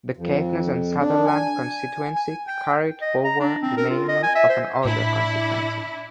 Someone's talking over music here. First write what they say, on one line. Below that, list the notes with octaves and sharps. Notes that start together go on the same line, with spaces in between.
The Caithness and Sutherland constituency carried forward the name of an older constituency.
F2
D4
G#5
G#5
G5
D#5
A#5
D4
C4
A#4
F4
D#5
G#5
E5
C5
A2 D4 E4